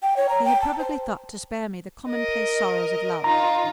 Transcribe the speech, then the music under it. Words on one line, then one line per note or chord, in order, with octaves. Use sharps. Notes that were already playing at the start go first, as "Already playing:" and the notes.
He had probably thought to spare me the commonplace sorrows of love.
G5
C#5
A#5
G5
A5
C5
A#4 D#5
D#4 F4 A#5